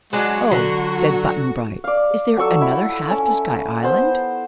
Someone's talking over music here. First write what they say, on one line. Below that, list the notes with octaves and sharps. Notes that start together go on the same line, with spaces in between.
"Oh," said Button-Bright; "is there another half to Sky Island?"
F#3 G#3 D4 F#4
D3 F#3 F#4
D5 F5
F#3 A4 C#6 E6
E4 B5
C#4
B3 C5